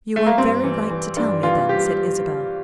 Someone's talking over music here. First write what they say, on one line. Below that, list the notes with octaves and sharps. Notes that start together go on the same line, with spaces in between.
"You were very right to tell me then," said Isabel.
A3
A#3
G2 C4
E3
E3
G2 D4
E3 F4
G4